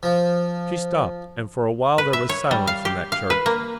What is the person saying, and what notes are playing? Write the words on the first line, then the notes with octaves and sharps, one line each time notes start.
She stopped, and for a while there was silence in that church.
F3
B4
E5
C#5
G3
F5
G4
F5
B4
A#3